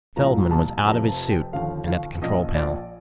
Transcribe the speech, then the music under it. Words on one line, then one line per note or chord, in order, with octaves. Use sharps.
Feldman was out of his suit and at the control panel.
C2 A#2 F3 A#5
A5
F1 F2 C3 F3 A#5
A5
G5
D#2 D3 F3 F5
F5
A#1 A#2 F3 D#5
D5